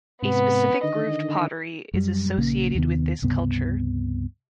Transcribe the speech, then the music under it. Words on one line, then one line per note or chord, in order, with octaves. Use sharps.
A specific grooved pottery is associated with this culture.
G#2 C3 B3
D3 D#3 D#5
F#2 G3
A#1 C#3 A#3
D#2 C3 D#3 B3
C#2 G2 C3 B3